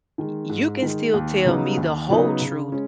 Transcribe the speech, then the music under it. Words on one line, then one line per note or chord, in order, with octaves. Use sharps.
y you can still tell me the whole truth,
D#3 G#3
G#2
D#3 G#3
D#2
C#3 F#3 B3 D#4
D#2
C#3 F#3 B3 D#4
C#3
G#3 C#4